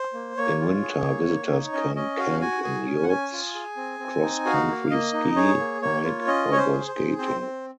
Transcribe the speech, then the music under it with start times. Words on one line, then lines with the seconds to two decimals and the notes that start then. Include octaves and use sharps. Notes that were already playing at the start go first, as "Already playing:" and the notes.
In winter, visitors can camp in yurts, cross-country ski, hike, or go skating.
Already playing: C5
0.13 A#3
0.37 A#3 C#5
0.59 F4
0.82 G#4
1.04 A#3
1.27 A#3
1.50 D#4
1.73 C#4 D#5
1.95 C#4 D#5
2.18 F#4 F5
2.40 F#4 G#5
2.64 G#4 G#5
2.86 C#4
3.03 F#5
3.09 C#4 G#5
3.32 F4
3.55 G#4
3.77 C4
3.99 C4
4.22 D#4
4.45 F#4 F5
4.68 A#3
4.90 A#3 D#5
5.13 D#4
5.36 G#4 C#5
5.59 A#3
5.81 A#3 C#5
6.04 F4
6.27 C#4 D#5
6.50 C#4 C#5
6.57 C5
6.72 G#4
6.88 C5
6.95 G#4
7.18 C4 C5
7.41 C4